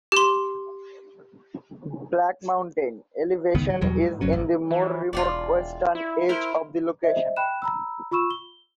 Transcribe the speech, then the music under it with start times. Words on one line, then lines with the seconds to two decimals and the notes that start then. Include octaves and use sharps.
Black Mountain, elevation is in the more remote western edge of the location.
0.12 G4 C6
3.55 C#2 G#2 D#3 B3
3.70 F#3
3.81 E2 B2 F#3 G3
4.02 G#2
4.21 F#1 F#3 C#4
4.33 A1
4.71 E3
5.13 E1 F4 F#4 D5
5.95 E4
6.29 E4 A#4 C5
7.04 C5 D#5 E5
7.36 G5 B5 F#6 E7
7.62 A#5 B5 E6
8.11 F4 B5 C#6 E6 E7
8.31 G7